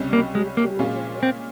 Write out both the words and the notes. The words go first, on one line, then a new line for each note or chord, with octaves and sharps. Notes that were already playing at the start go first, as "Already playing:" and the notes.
Are You Jimmy Ray?
Already playing: C#2 C3 G3 C#4
A#3
G#3
A#3
A#2 G#3 C#4 F4
C4